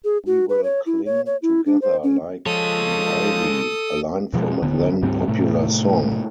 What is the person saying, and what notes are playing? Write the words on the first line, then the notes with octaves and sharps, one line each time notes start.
'We will cling together like the ivy', a line from a then-popular song.
G#4
F#4
B4
C#5
E4
C#5
C#5
E4
D4
C5
C#4
F3 G#3 A4 C#5 D#6
B2 F3 G3 G#3
D1 D3 B3
D2 G#2 G3 C4
A2 C3 A3